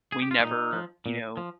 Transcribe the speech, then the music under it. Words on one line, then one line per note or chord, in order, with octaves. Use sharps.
we never you know,
G#4
G4
F4
A#2 D#4
F3
A#2
F3